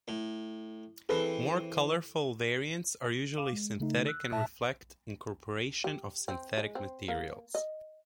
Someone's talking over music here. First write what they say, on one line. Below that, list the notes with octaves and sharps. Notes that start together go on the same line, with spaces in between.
More colorful variants are usually synthetic and reflect incorporation of synthetic materials.
A2
E3 C4 G#4 A4 B4
F5 D6
G#3
C#3 A3 D#4
E6 F#6
A#2 E5 A5
G4
C4
G#3
C4
A#3
D#5